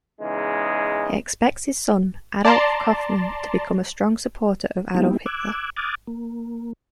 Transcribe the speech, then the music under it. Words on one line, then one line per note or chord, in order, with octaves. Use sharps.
He expects his son, Adolf Kaufmann, to become a strong supporter of Adolf Hitler.
E2 C#3 G#3 D#4
D5 A5 A#5 C6
G3 A#3 B3 D#4 E4 G4
D6 E6 F#6 G#6
D6 D#6 F6 F#6 G#6 A6
A#3